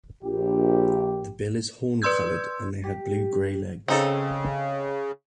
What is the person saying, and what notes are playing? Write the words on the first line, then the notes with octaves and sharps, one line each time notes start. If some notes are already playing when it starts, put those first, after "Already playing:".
The bill is horn-coloured and they had blue-gray legs.
A#1 G4
B4 D5 C6 E6 G6 G#6
G4
C#3 C4 D#4 A4